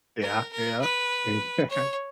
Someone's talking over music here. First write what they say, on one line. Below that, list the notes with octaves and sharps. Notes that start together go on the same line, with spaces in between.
Yeah, yeah. Yeah.
A#4
A#4
B4
C#5